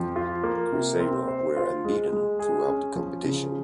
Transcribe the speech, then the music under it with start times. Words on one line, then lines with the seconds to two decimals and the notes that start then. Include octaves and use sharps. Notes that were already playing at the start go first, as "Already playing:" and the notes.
Cruzeiro were unbeaten throughout the competition.
Already playing: F2 F3
0.16 F4
0.43 A#3
0.72 C3
1.00 C4
1.28 C5
1.57 F4
1.84 G#3
2.12 G#3
2.39 G#4
2.68 C#4
2.96 F3
3.24 C#3